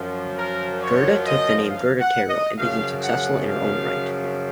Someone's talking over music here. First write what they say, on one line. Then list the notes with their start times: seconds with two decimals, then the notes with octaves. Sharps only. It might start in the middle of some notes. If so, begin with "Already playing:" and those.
Gerda took the name Gerda Taro and became successful in her own right.
Already playing: F#2 F3
0.38 A#4
0.82 C#5
1.25 D#5
1.69 F5
2.00 F#5
2.29 D#5
2.58 F#2 C#3 F3 F5
3.02 F#5
3.47 F5